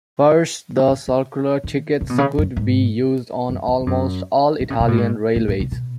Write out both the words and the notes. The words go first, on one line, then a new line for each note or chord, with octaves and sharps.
First, the circular tickets could be used on almost all Italian railways.
C#3
C#3
D#3
C#3
B2
C#3
F#2
G#2
F#2
E2
G#2
F#2
D#3
C#3
B2
A2
G#2
A2
A2
C#3
B2